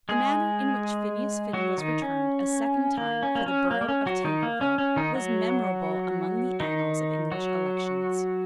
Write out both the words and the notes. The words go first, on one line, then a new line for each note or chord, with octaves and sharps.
The manner in which Phineas Finn was returned a second time for the borough of Tankerville was memorable among the annals of English elections.
G#3 G#4
F#3 F#4
D#3 D#4
C#4
A#3
C#4
A#3
C#4
A#3
A#3
C#4
F#3 F#4
D#3 D#4
A#3
C#4
C#4
D#3 D#4
F#3 F#4
D#3 D#4
F#3 F#4